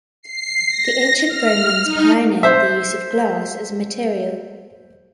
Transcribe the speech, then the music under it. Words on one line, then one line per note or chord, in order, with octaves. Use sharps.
The Ancient Romans pioneered the use of glass as a material.
C7
A#6
F6
D#4
C5 E5